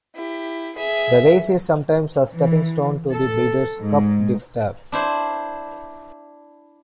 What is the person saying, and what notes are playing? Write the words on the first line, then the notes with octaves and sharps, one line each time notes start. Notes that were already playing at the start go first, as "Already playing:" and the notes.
The race is sometimes a stepping stone to the Breeders' Cup Distaff.
E4 G4
G#4 E5
E3
A4
G#2
D4 E4 C5